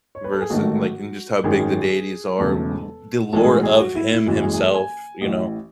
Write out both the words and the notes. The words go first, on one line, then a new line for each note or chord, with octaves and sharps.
versu and, like, and just how big the deities are, th the lore of him himself, you know,
C#5
B4
A4
G#4
A1 G#2 D#3 F#3 A3 F#4
G#1 F#2 D#3 G#4
E1 E2 C#3 F#3 A3 A4
B1 A2 E3 G#3 A4
G#4
F#4
G#4
F#4
E4
E4
F#1 F#2 E3 G#3 F#4
G#4
G#4
A4
G#5
A1 A2 E3